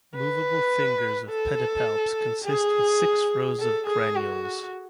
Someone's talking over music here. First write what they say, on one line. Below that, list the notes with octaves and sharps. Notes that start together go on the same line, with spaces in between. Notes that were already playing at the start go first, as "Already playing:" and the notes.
Movable fingers of pedipalps consist with six rows of granules.
B4
A4
G#4
A4
G#4
F#4